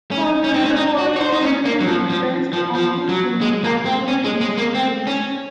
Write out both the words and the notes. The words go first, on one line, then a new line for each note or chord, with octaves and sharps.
However, the following season he would be benched, only seeing action in two games.
C#4
C#4
C4
C#4
D#4
F#4
C#5
C5
D#4
C#4
A#3
F#3
F3
F3
F3
F3
F#3
G#3
A#3
C4
C#4
G#3
G#3
A#3
C4
C#4